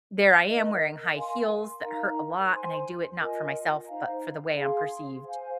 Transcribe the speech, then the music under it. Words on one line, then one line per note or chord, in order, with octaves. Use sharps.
there I am wearing high heels that hurt a lot and I do it not for myself, but for the way I'm perceived
D#4 A#4 D#5
A#4 F5 G#5 C6
D#4 A#4 F5 A#5
C5 G#5 C6
F4 A#4 D#5 G#5
D#4 C5 F5 A#5
G#4 F5 C6
C5 F5 G#5